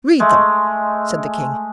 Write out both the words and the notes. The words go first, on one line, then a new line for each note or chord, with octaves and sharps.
'Read them,' said the King.
G#3 A3